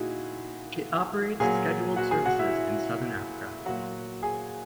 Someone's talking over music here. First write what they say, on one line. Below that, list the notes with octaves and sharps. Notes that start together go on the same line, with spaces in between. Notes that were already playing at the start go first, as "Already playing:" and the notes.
It operates scheduled services in southern Africa.
Already playing: A#2 D#4 E4 F#4 G#4
A#2 F#3 G#4 G#5
F#4 F#5
G#4 G#5
F#4 F#5
E4 E5
A#2 F#3 F#4 F#5
G#4 G#5